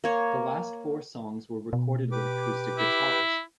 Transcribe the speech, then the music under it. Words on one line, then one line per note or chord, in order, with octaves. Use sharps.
The last four songs were recorded with acoustic guitars.
A#3 C#5
B2
G4 B4 D6
E4